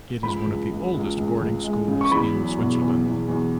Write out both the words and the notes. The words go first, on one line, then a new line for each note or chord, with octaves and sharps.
It is one of the oldest boarding schools in Switzerland.
C#2 B5
C#2
C#2
C#2
C#2
C#2
G#3
C#3
C#6
E2 B5
F#3
B2
E2
E2
E2